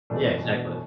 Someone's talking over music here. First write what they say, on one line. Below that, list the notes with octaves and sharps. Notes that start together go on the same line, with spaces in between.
Yeah, exactly.
E2 B2 A3 D4
E2 B2 A3 D4